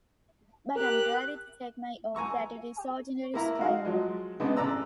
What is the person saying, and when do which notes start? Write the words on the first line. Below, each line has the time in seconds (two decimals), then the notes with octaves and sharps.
But I am ready to take my oath that it is ordinary spy work.
0.76 G4 A#4 F#6
2.15 G#5 A#5 C#6 E6
3.34 A#3 E4 A#5
3.59 G#3 D#4 F#4 F5
3.85 F3 F#3 G#3
4.40 C#3 G#3 B3 C4 D4
4.56 A1 C#3 D5 A#5 E6 F#6